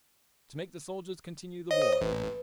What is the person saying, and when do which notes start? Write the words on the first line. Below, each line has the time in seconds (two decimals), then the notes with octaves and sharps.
To make the soldiers continue the war.
1.71 C5 C#5 D#5
2.01 A1 B4